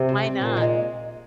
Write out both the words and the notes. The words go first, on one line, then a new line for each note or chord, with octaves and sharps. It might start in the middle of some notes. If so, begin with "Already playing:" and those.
Why not?
Already playing: C3
C4
C4
A#2 D#3
G#3